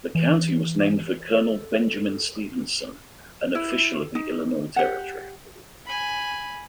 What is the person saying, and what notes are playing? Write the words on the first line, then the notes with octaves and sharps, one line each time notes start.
The county was named for Colonel Benjamin Stephenson, an official of the Illinois Territory.
E3
A4
E4
D#4
G4 F#5
G#5 B5